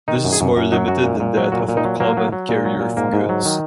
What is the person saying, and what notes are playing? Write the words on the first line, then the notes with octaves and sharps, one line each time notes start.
This is more limited than that of a common carrier of goods.
D#3 D#4
F#2
G#4
F#2
F#2
F#3 D#4
F#2 F#4
A#2
A#2
F#3
A#2 F#4
A#2
D#4
F#3
F#3 A#3
F#3
F#3
A#2
F#3
A#2
G#2 A#3
G#2
F#3
D#3